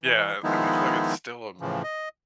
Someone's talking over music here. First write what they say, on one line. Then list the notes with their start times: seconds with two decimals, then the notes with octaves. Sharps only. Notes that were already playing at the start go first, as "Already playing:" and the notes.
Yeah, I I mean, I feel like it's still, um,
0.03 E3
0.43 D#3 F3 G#3 B3 D#4 E4
1.61 A2 C#3 E3 F3
1.84 D#5